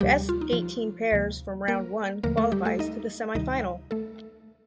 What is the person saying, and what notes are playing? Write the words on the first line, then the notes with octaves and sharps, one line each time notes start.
Best eighteen pairs from round one qualifies to the semifinal.
D2 C3 F3 G3 A#3 G4
F4
D#4
F3 F4
D2 C3 F3 A#3
A#3 A#4
D#2 D3 F3 A3 A#3 A#4
A3 A4
G3 G4
A3 A4
D#4 D#5
D2 C3 D#3 G3 D#4 D#5
A3 A4